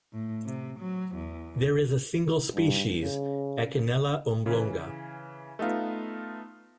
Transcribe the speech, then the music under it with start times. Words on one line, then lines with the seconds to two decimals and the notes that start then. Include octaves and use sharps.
There is a single species Echinella oblonga.
0.13 A2
0.45 C3
0.79 F#3
1.15 E2
2.55 G2
3.00 C#3
4.46 C#3 E3
5.59 A3 B3 D#4 F4